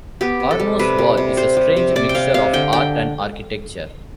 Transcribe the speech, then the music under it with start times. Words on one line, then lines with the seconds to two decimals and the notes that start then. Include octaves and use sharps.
Arno's wall is a strange mixture of art and architecture.
0.21 B3 G4
0.40 C3
0.51 A4
0.60 G3
0.79 C3 B4
0.98 G3
1.17 C3
1.37 G3 C5
1.57 G3
1.77 C3
1.96 C3 D5
2.09 G5
2.15 C3 F5
2.34 C3 F5
2.53 D3 G5
2.73 D3 G5